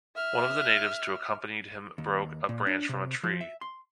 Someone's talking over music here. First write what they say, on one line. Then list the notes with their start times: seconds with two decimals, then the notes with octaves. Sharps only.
One of the natives to accompanied him broke a branch from a tree.
0.16 E5 F6
1.98 D#2
2.49 A#2
2.67 D4
2.89 C3
3.23 F3
3.41 E5
3.61 C6